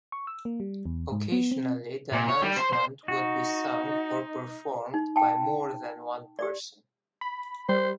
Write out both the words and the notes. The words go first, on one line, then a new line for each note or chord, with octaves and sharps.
Occasionally the announcement would be sung, or performed by more than one person.
C#6
E6
A#3
G3
E2
G#2
B3
C4
A#2
C#5
G3
C5
C5
D#4 F#4
D#4
G5 A5
G4 D5
B5
G3 C5